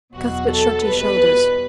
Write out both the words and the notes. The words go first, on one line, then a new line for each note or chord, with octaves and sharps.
Cuthbert shrugged his shoulders.
E2 B2 F#3 F#4
A4
E2 B2 G3 B4